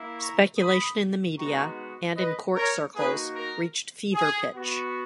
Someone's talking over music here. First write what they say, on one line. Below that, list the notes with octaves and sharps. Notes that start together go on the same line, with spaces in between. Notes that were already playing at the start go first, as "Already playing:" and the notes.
Speculation in the media-and in court circles-reached fever pitch.
Already playing: A#3 E4
A#5 C#6
B5 D#6
G#3 B3 D#4 F#4 A#5 C#6
B4 D#5
A#4 C#5
A#3 D#4 F#4 G#4 B4
A#4
G#4
B3 F#4